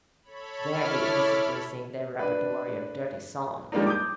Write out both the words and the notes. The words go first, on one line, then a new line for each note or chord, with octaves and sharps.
There they innocently sing their repertory of dirty songs.
A4 C#5 B5
E4 D6 F6
D4 B4
F3 G3 G#3 A#3 D4 D#4
D6 D#6 G6